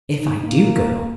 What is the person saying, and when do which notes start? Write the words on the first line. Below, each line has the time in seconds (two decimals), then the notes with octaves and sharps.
"If I do go."
0.15 D#4
0.46 A#3